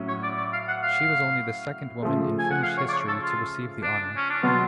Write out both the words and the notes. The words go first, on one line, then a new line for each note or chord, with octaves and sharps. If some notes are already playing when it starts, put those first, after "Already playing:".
She was only the second woman in Finnish history to receive the honour.
Already playing: A2 F#3 C#4
C#5
D5
D5
F5
F#5
F5
C#3 F3 A3
G#5
F#5
F5
C#5
D5
C#5
A4
F4
D4
C#4
D4
B2 F#3 B3 F4